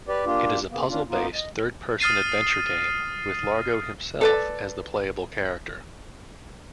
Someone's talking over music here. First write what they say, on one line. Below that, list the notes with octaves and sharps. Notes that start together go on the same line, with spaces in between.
It is a puzzle-based third-person adventure game with Largo himself as the playable character.
G4 B4 D5
A#3 D4 F4 G4
C#3 A#3 B3
A#3 C#4 D4 F4
A#3 B3 D#4 F4
D#5
D#6 F6 A6 C7 D#7
A4 B4 D5